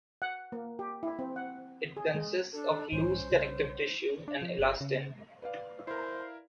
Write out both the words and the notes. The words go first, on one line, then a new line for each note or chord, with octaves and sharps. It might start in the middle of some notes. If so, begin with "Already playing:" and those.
It consists of loose connective tissue and elastin.
F#5
A#3
G4
E4
C4
F#5
G#4
G#3
D4 A4
B1 G#2 E3 G3 C#4 C5
C#3 C#5
D4
F3
G1
C#3
B4 D5 F5
E4 A#4 C5